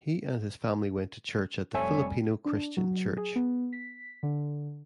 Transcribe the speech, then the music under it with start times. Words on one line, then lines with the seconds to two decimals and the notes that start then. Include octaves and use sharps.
He and his family went to church at the Filipino Christian Church.
1.74 F1 G3 C4 A4 C#5 E5 G#5
2.45 D4
2.77 F#3
3.17 G#4
3.36 B3
3.73 B6
4.23 D3